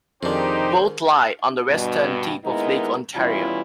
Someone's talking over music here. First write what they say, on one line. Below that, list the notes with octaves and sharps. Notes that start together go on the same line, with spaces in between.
Both lie on the western tip of Lake Ontario.
F2 G#2 D#3 D4 D#4 G4 C5
G2 B2
D#2 G#3 B3 D#4 E4 A#4
B2 E3 G3 C#4 E4 F4